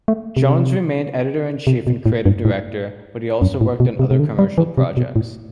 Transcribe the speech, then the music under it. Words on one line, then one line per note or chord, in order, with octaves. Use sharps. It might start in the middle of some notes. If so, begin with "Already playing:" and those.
Jones remained editor-in-chief and creative director, but he also worked on other commercial projects.
A3
C3
C3
B2
A2
G2
A2
F#2
A2
B2
C3
C3
D3
G3
E3
C3
B2
A2